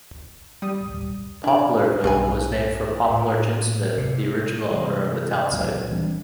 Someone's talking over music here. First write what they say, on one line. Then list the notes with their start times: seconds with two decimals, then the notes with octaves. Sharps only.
Poplarville was named for Poplar Jim Smith, the original owner of the town site.
0.62 G3 D#6
1.44 D4 E4 D5
2.04 B1 G2 C#3 B4 G#5
3.10 A2
3.98 C3
4.71 C3 E3 G3 G#3
5.52 C#2 A#2 F#3
5.91 E3 G3 C4 D4